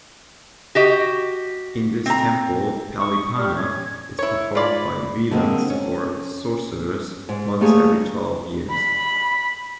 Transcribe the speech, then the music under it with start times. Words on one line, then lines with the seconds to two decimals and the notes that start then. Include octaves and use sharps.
In this temple 'Pallipana' is performed by "velans" or sorcerers once every twelve years.
0.75 F#4 G4 D#5
2.06 C4 A#5
3.00 C#6 D#6
3.36 G4 D5 F6
3.56 C#4 G#6
4.19 E4 C#5
4.55 F4 D5 B5
5.31 D3 G#3 A#3 C4
5.70 C#4
7.29 G#2
7.61 G3 A3 A#3 G#4 C#5
8.70 B5